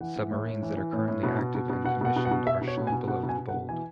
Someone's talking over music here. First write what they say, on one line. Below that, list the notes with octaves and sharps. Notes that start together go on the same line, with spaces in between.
Submarines that are currently active and commissioned are shown below in bold.
E3 F#5
E3
A2
A2
E3
E3
A2
A2
B2
B2
B2
B2
B2 F#5
B2 F#5
B2
F#5
B2
B2 E5
B2
C#5
B2
G#5
B2
B2 F#5
B2
G#5
B2
F#5
B2
E3 G#5